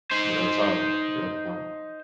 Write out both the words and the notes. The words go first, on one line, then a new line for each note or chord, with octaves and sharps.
Real talk, real talk.
D#4 C5